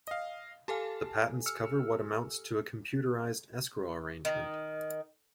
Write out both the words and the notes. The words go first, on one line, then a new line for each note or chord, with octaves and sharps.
The patents cover what amounts to a computerized escrow arrangement.
D#5 F5
G4 A4 F5 G#5 A5
E6 F6 C#7
D#3